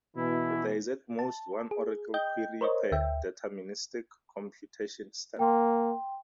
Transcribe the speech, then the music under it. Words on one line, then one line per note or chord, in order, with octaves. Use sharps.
There is at most one oracle query per deterministic computation step.
B2 E3 E4
A5
G#4
D#5 G5 G6
A#4 C5 C#5 D#5
D2 E5 G5
A#3 G5 C6